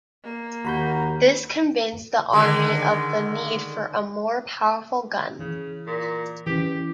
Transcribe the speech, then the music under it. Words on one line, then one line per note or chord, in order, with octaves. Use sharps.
This convinced the army of the need for a more powerful gun.
A#3
D#2 F#4 A#5 B5 G6
D3 D#3 G#3
C#3 E3
A#2
E3 C#4 G4